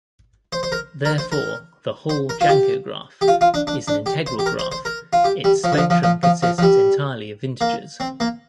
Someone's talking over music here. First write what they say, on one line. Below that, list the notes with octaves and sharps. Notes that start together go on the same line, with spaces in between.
Therefore the Hall-Janko graph is an integral graph: its spectrum consists entirely of integers.
C5
C5
A#4
A#4
C5
A#4
C5
A#4
F4
G4
G4
F4
F4
D4
D4
D4
G4
C5
G4
A#4
C5
C5
A#4
F4
G4
G3
F3
D3
F3
F3
F3
F3
F3
F3
G3
A#3
C4
A#3